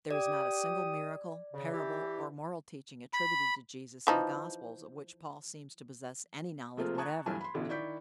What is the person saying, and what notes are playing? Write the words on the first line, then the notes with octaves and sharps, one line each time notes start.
There is not a single miracle, parable or moral teaching attributed to Jesus in the Gospels of which Paul seems to possess any knowledge whatever.
G4 D5 D#6
C#3
E3 G4
B5
E3 F3 D#4
C3 F3 A3 A#3 F4 G#4
A5 A#5 C#6 D#6 F#6 G#6
B1 G2 E3 A3 G#5 A5
B5 C6
A1 B2 D3 E3
D#3 E4 D5 C#6 G6 B6